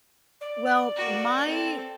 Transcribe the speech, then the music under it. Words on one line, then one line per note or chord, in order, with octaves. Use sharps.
Well, my
D5
A#3 F#4
C4 A4